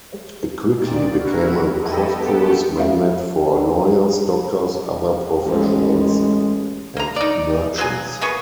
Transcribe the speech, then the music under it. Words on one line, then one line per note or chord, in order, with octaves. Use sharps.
It quickly became a prosperous magnet for lawyers, doctors, other professionals, and merchants.
A#2 D#3 D5
E4 F#4 A#4
F2 E4 G4 A4 D#5
B3 G4 A4
G#3 C#4 F#4 C#5 E5 F5
A1 G#3
A#3 A#5
D#4 D5
F#3 F4 G#4 G#5
A#3 B3 G#4 C#6